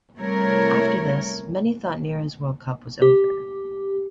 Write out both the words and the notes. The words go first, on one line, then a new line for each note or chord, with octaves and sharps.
After this, many thought Nehra's world cup was over.
C3 G3 A3 E4 A#4 C#5
G4